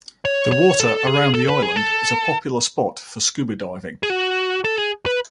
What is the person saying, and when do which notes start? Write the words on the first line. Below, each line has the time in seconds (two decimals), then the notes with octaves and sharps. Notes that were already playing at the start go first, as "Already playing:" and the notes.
The water around the island is a popular spot for scuba diving.
0.25 C#5
0.52 C#5
0.80 A4
1.07 G#4
1.35 A4
1.48 B4
1.62 G#4
1.76 A4
4.03 G#4
4.10 F#4
4.64 A4
4.78 G#4
5.06 B4